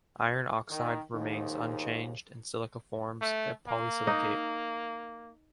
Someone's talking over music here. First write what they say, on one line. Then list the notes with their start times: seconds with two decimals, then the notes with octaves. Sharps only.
Iron oxide remains unchanged and silica forms a polysilicate.
0.69 D#3
1.14 A#1 D#2 G#2 D#3
3.21 A3
3.67 A#3
4.07 D#4